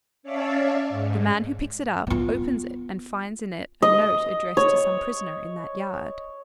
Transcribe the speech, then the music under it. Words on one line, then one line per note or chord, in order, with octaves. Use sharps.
The man who picks it up opens it and finds in it a note addressed to some prisoner in that yard.
C#4 C#5 D5 E5 F5 A5
G#2
B3 F4
D#5
C#5